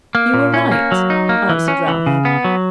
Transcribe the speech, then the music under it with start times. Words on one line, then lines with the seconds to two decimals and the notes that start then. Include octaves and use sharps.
'You were right,' answered Ralph.
0.15 A#3
0.34 A#2
0.54 C#4
0.72 A#3
0.92 F#3
1.10 D#4
1.29 A#3
1.49 E3
1.68 C#4
1.88 E3
2.07 C#3
2.25 B3
2.44 F#3